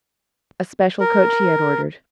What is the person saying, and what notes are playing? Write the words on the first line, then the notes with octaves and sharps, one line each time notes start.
A special coach he had ordered.
A#4